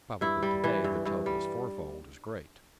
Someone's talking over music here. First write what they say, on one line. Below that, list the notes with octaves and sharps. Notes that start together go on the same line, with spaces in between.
Probably to-day the total is four-fold as great.
G2 E4
G3
E3
G2
G2
G3